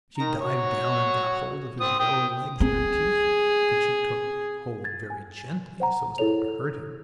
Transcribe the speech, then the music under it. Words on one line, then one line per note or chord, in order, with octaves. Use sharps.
She dived down, and got hold of his yellow legs in her teeth, but she took hold very gently, so as not to hurt him.
D#3 A#5
F#4 C#5
C4 D#6
G5 D#6
C4 G#4
G#6 A6
G#5
C5 F#5 A#5
E4 G#4 A4 C#5 F7